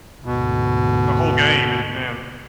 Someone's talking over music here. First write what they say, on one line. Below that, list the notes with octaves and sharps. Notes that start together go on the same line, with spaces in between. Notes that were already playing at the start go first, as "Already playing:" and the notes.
the whole game and and
D2 G#2 B2